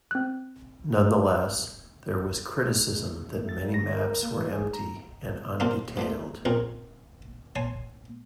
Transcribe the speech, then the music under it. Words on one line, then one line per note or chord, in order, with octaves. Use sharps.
Nonetheless, there was criticism that many maps were empty and undetailed.
C4 F#6
A3
A6
G3
A#6
A#4
A#3
E3
G#4
A#5
A#3 C4 D4 F4 G4 A4
G2 F3 A3
A#1 F2 C4 C#4 A#4 C#6
C#5 G#5 A5 C6